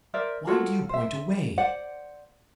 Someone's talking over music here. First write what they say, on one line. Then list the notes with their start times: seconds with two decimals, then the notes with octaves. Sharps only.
"Why do you point away?"
0.14 A#4 C5 D5 E5
0.47 F4 F#4 A4 C#5
0.89 C5 E5
1.58 C5 D5 F#5